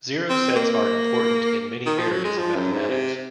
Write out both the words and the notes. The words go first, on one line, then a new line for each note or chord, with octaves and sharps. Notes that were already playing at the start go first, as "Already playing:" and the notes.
Zero sets are important in many areas of mathematics.
C4
A#3
D#3
F3
F#3
G#3
F3
F#2
G#2
C3